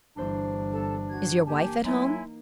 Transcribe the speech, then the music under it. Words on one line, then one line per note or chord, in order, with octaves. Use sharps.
"Is your wife at home!"
G1 E3 D4 C5 B5
A4 A5
F#4 G#6
A#3 G4 G#5 A5
F#3 D#4 E4 G#5 C6